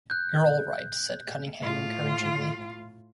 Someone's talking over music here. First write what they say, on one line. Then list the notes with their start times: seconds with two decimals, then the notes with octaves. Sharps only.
"You're all right," said Cunningham encouragingly.
0.10 F#6 G6
1.61 A2 F4